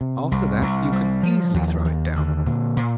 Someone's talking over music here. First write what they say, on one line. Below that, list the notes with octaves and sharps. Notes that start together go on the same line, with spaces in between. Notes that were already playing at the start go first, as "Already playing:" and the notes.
After that you can easily throw it down.'
C3
C2
C2
G3
F3
D#2
D#2
D3
A#2
A#2